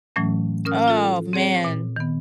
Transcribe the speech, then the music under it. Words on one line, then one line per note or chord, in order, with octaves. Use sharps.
Oh man.
A2 E3 F#3 A3 C#4
C#4 A#4 D#6 F6
F4 A4
C4 G#4 C#5
A#2
D#3 B3